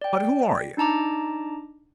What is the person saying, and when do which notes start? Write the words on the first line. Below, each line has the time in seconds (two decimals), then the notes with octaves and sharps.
"But who are you?"
0.01 D5 G5
0.77 D4 D#4 A5 A#5 D6